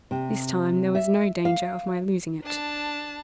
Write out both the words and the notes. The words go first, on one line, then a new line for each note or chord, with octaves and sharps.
This time there was no danger of my losing it.
C3
E5
F5
D4 A5